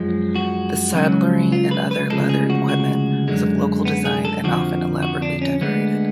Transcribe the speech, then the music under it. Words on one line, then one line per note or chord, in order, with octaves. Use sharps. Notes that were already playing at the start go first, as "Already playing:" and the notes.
The saddlery and other leather equipment was of local design and often elaborately decorated.
Already playing: F#2 F3 G#3
F#4
C#2 C#3 F#3
F4
B4
B4
D2 C#3 F3 G#3 A4
G#4
F#4
F#4
F#2 D3 G#3
B3
G#4
A4
F2 D3 F3 F#4
F#4
D4
C#4
D2 D3 G#3 B3